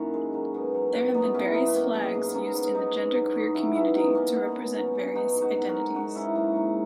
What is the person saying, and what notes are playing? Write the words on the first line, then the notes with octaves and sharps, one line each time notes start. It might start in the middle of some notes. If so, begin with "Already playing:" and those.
There have been various flags used in the genderqueer community to represent various identities.
Already playing: F#2 D#3 A#3 C#4 E4 F#4
G#3
F#3
B2
F#3
B2
F#3 B3 D#4
B2 C#4 E4
F#3 B3 D#4
B3
B2 A#3
F#3 G#3
G#2 A#3
B3
F#3 A#3 C#4
G#2 B3 D#4
F#3 B3 D#4
G#2
F#3
G#2
F#3 C#4 E4
B2 C#4 E4
F#3 B3 D#4
B2 A#3 C#4
F#3 B3 D#4
B2
F#3
B2
F#3 D#4 F#4
G#2
D#4 F#4
F#3
F#4 A#4
G#2
F#3 D#4 F#4
G#2 C#4 E4
F#3 A#3
G#2